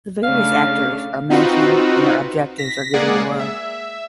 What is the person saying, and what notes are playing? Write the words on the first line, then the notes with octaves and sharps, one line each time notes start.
The various actors are mentioned and their objectives are given below.
C#3 A3 D4 F5
C4 D#4 F4 F#4 B4
A#6 B6
G#3 A#3 G#4 D5 F#5
E5